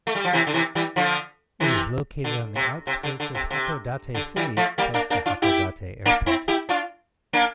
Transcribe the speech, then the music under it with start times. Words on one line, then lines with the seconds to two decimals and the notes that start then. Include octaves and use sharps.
It is located on the outskirts of Hakodate city close to Hakodate Airport.
0.07 A3
0.15 G3
0.24 F3
0.33 C3 E3
0.47 D3
0.54 C3 E3
0.75 E3 G3
0.96 D3 F3
1.60 C3 E3
2.24 D3
2.56 C3
2.87 C3
3.03 D3
3.20 D3
3.35 C3
3.50 C3
4.14 D3
4.36 E3 G3
4.57 F3 A3
4.78 G3 A#3
4.94 A#3 D4
5.10 A#3 D4
5.26 D4 F4
5.42 E4 G4
6.05 A#3 D4
6.26 C4 E4
6.48 E4 G4
6.69 D4 F4
7.33 A#3 D4